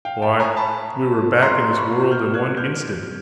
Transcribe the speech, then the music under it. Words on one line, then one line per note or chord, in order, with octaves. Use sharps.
Why, we were back in this world in one instant!
F5 G5
G5 A5
G#5 A#5
A5 B5
A#5 C6
B5 C#6
F6 G6
F#6 G#6
F6 G6